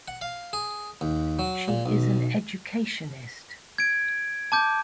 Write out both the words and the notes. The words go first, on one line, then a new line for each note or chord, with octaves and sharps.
She is an educationist.
F#5
F5
G#4
D#2
F#3
A#2
B1
G#6 D7
A5 D6 G6